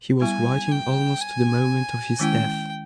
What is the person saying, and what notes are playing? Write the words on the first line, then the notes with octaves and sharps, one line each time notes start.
He was writing almost to the moment of his death.
G3 B3 E4 G#5
G5
G#5
D#3 G#3 C#4 E4 G5